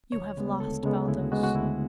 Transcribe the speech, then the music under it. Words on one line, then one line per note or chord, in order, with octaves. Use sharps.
You have lost Baldos.
D2 C#5
C#3 G#3 B3
D2 A4
C#3 G#3 B3
D2 E4
F#4
C#3 G#3 B3 F#4
F#4
D2 E4